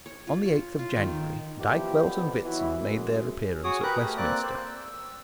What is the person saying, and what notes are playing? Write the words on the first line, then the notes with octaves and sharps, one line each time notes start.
On the eighth of January Dykvelt and Witsen made their appearance at Westminster.
C#5
F4
C#6
F4
D#3
A#2 E3 F3 E4 G4
F2 B3
B2 E3 F#3 E4 F#4
F#2 G#3
F#4 G#4 C#5 D6 D#6
G4 A#4 B4 A#5 F#6
A3
A#3 C4 D5 D6 F#6
C5
E6